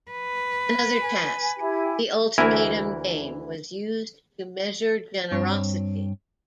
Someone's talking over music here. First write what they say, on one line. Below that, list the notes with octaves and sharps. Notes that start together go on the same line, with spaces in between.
Another task, the Ultimatum Game, was used to measure generosity.
B4
G#5
E4 G4 G#5
D2 E3 E4 A#4 G#5
G2 C4 C#5